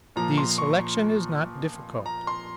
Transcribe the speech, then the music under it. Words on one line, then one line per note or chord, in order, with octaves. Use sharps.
The selection is not difficult.
A#2 F3 A#5
C6
C#6
A#5
C6